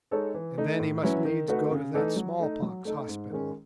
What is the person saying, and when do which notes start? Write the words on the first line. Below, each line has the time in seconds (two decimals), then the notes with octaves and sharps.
And then he must needs go to that smallpox hospital.
0.11 G#3 D#4 A4 C#5
0.34 E3
0.58 A3 D#4
0.80 A2
1.03 F#3 C#4 E4 B4
1.25 D#3
1.48 A3 D#4 F#4 B4
1.71 C#3
1.94 E3 A3 D#4 A4
2.16 F#3
2.40 A3 D#4
2.62 F#3
2.85 A3 D#4 A4
3.08 G#2
3.30 D#3 G#3 C#4